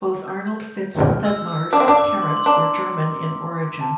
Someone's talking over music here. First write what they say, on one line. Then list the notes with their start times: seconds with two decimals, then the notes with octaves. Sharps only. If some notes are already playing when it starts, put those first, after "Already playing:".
Both Arnold Fitz Thedmar's parents were German in origin.
0.28 G6
1.01 F6
1.25 E6
1.48 E6
1.73 D4 D6
1.80 C4
1.88 D4
1.97 D6
2.22 C6
2.37 C6
2.46 D4 A#5
3.81 A5